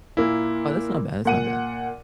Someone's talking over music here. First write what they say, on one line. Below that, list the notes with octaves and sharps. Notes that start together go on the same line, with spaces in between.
Oh, that's not bad, that's not bad.
A#2 A#3 E4
A#2 F#5 D#7